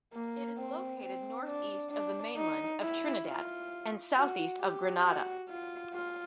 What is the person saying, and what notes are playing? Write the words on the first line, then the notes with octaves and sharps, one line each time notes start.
It is located northeast of the mainland of Trinidad and southeast of Grenada.
A#3
C4
C4
D4
D4
D#4
E4
F4
F#4
G4
F#4
F4
F4